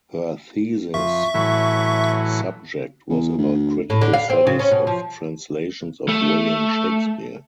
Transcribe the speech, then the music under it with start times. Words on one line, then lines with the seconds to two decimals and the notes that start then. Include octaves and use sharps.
Her thesis subject was about critical studies of translations of William Shakespeare.
0.94 F2 E5 C#6
1.34 A2 E3 F#3
3.09 E2
3.38 D2
3.90 A2
4.01 D3
4.13 F5
4.30 C4
4.47 C#3
4.59 C#4
4.71 B2
4.87 F3
6.09 A3